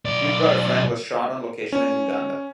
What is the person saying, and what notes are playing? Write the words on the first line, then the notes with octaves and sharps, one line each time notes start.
"You've Got a Friend" was shot on location in Uganda.
B1 D5
C#4